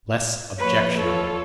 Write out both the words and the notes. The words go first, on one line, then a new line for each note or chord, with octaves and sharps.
Less objectionable.
F3 A#3 B4 C#5
F4 A4 C#5